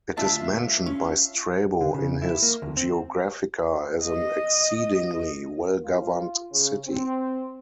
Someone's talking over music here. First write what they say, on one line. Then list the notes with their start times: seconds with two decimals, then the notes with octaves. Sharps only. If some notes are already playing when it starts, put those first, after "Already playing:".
It is mentioned by Strabo in his "Geographica" as "an exceedingly well-governed city".
0.17 D2 D#3 D4 F4 E5 A5
0.86 C#4
1.81 D3
1.94 C#3
2.22 E4
2.43 A#3
2.62 D2
2.77 C4
4.05 D#5
5.82 F4
6.51 C#3
6.88 C4